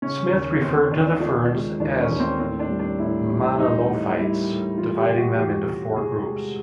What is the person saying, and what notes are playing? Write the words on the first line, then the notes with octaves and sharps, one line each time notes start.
Smith referred to the ferns as monilophytes, dividing them into four groups.
C#3 C#4
D#2
D#2 C4
C#4
D#2 D4
D4
F3 D4
G#3
D#2 D4
C#4
D#2
C4
A2 C4
D4
G3
D4
A2 E4
G3
E3 D#4
A2
G3 E4
A2
E3 F4
G4
C3
F#4
E2 G4
C3
C3 G#4
G#3